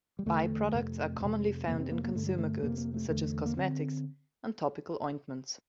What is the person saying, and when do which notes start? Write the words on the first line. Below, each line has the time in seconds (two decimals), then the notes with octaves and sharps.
By-products are commonly found in consumer goods such as cosmetics, and topical ointments.
0.19 G3
0.26 E2 D3 A3
0.74 F2 C3
1.20 F2 C3
1.67 F2 C3 A#3
1.80 C4
1.91 A#3
2.04 A#3
2.15 G2 D3 A3
2.27 G3
2.38 A3
2.62 F2 C3 A#3
2.78 A#3
2.94 A3
3.09 E2 D3 A3
3.46 A#3
3.57 D3 C4